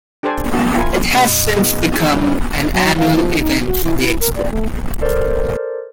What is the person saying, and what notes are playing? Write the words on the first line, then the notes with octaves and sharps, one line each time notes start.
It has since become an annual event for the expo.
D4 G4 A4 C5 D5 G#5
A#3 F#4 A5
E4 F4 A#4 G#5
B2 A3 C#4 G4
F#2
B3 E4 G#4
G3
F#3
F5
F3
D#4
F#4
E3
E4
A#4
D5
A3
A4 A#4 C5 D5